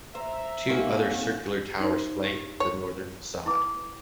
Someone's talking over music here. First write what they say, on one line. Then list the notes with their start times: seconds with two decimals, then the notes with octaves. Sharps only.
Two other circular towers flank the northern façade.
0.15 C5 E5 A#5
0.68 G#2 C3 A#3 C#4 F#5
1.80 D#4 C5
2.24 G4
2.60 C#5
3.46 E4 B4 D6